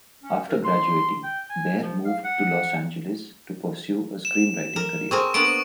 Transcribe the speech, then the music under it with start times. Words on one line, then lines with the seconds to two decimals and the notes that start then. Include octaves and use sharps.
After graduating, Behr moved to Los Angeles to pursue a screenwriting career.
0.23 C#4
0.49 A#4
0.65 C6
1.24 G5
1.50 G#5
1.81 F3
2.05 F5
2.24 F#5
4.25 E7
4.76 A#4
5.11 C4 G#4 A#4 C#6
5.34 A#3 B3 D4 C#6 D7